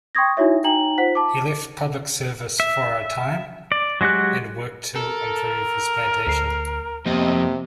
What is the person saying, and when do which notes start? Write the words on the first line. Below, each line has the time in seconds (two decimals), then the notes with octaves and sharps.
He left public service for a time, and worked to improve his plantation.
0.15 G5 C6 C#6 D#6 G#6 A#6
0.37 D#4 E4 F#4 C#5 E5
0.64 D#4 G5 A#5 F#7
0.98 F4 C5 F#5 B6
1.15 A5 D6
2.60 E5
3.72 D5
4.01 F#3 G#3 F#4 G4 F#6
4.95 A4 A#4
6.27 D2 C7
7.06 F2 C3 A#3 B3 D#5